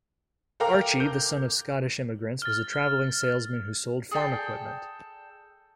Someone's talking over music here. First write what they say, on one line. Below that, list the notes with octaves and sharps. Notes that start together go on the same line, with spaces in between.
Archie, the son of Scottish immigrants, was a traveling salesman who sold farm equipment.
A4 A#4 F5 G5 A#5 D6
G6
F6 A6
G#4 A4 D5 G5